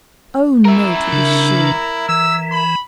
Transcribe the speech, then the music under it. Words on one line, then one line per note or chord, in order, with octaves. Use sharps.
Oh, no! to be sure.
E4 A#4 E5
C#3 D4
E3 E6
B5